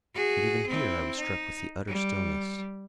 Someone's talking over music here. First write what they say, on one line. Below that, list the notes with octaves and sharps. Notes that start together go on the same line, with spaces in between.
But even here I was struck with the utter stillness.
F#4 G#4
C4 E4
D#4
G3